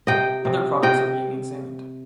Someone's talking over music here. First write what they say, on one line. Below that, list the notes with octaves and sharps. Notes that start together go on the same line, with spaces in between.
Other products are being examined.
C3 D#5 G5
C3
C3 D#5 G5